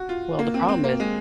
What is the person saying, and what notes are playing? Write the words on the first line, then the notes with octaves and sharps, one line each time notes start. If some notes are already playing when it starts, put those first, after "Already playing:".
Well, the problem is
Already playing: F#4
F4
A#3
C4
C4
A#3
G#3